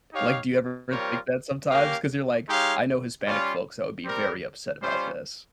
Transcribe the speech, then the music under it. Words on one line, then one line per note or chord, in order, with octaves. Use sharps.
Like, do you ever think that sometimes? 'Cause you're like, "I know Hispanic folks that would be very upset about this,"
D#4 G4 C#5 F5
G3 C4 F4 A#4 C#5
A#3 C#4 G4 A#4 F5
G#3 D#4 G4 C#5 F5
G3 C#4 F4
G3 C4 G4 A#4
G3 C#4 F4 C5